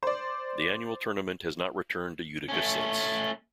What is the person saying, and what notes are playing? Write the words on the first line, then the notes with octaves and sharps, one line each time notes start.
The annual tournament has not returned to Utica since.
C5 D5
A3 C#4